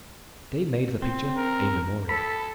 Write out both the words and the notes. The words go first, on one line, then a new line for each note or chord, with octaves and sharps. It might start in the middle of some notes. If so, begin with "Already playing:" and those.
They made the picture a memorial.
C4
A#4
A4 B5